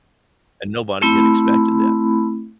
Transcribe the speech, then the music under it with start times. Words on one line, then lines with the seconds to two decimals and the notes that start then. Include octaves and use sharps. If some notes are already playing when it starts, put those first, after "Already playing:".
and nobody had expected that.
1.02 A3 C4 E4 B5